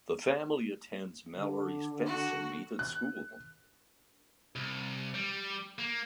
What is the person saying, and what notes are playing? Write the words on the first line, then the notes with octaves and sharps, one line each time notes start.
The family attends Mallory's fencing meet at school.
D3
F#4
F#6
C2
G3
A#3